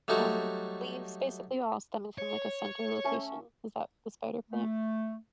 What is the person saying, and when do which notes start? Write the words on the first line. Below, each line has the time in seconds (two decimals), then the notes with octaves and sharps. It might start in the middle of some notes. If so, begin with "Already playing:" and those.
um, leaves basically all stemming from, like, a center location. Is that the spider plant?
0.08 F#3 G3 A3 D#4 F#4
2.18 C#5
3.04 A3 C#4 A4
4.50 A3